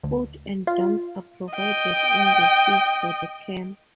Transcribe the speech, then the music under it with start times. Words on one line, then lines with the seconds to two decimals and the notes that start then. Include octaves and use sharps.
Food and dorms are provided in the fees for the camp.
0.03 D2
0.67 F4
1.53 D#5 G5